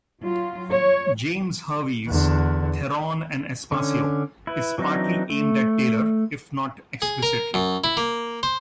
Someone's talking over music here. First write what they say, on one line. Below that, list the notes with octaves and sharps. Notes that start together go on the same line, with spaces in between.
James Hervey's "Theron and Aspasio" is partly aimed at Taylor, if not explicitly.
F#3 F4
C#5
E2 D3
D3 C#4
E4 B4
E3 F#3 C4 D4 D#4
A3
G#4
A#4
F#2
E4
A#3
C5